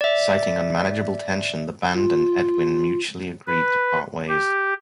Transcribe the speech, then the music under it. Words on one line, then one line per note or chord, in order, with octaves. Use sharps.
Citing unmanageable tension, the band and Edwin mutually agreed to part ways.
D5 E5
F4
B4
G4